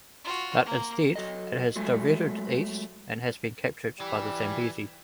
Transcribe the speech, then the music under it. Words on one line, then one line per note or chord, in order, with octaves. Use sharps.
But instead it has diverted east and has been captured by the Zambezi.
F4 F#4
A#3
F#3 A4 D#5
F#3 G#3 A3
E3 G3